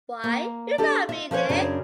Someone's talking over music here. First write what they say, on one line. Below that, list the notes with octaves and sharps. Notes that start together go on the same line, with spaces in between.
Why, you don't mean it!
A#3
D4 G4 A4
F4 E5
F3 C#4 B4 C#5
F#2 C#3 C#4 D4 G#4